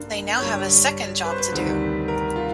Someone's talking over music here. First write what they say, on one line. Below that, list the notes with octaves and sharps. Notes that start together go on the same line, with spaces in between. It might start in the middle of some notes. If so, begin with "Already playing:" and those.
They now have a second job to do.
Already playing: G2 D3 A#3
G2 D3 G3 C#5
B4
C5
B4
D2 C3 D#3 G3
A#4
F4